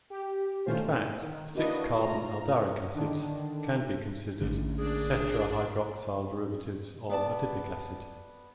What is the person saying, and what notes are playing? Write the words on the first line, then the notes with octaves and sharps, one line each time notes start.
In fact, six-carbon aldaric acids can be considered tetrahydroxyl derivatives of adipic acid.
G4
D#3 A3 C#4 F4 C5
A2
D#3
A#3 D4 E4 F#4 B4 D#5
A3 F4 A#5
D3 D#3 D4
A1 D3 A3 C#4
A#3 D4 G#4
B3 D5 A5